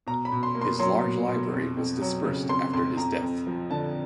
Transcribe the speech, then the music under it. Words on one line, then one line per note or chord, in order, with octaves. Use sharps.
His large library was dispersed after his death.
B2 A#5
B5
B2
C6
A#3
C6
F#3 C6
B2
B2
F2
F2
F#3
C#3
F2 C6
F2 C6
F2 A#5
F2
F3
D3 A5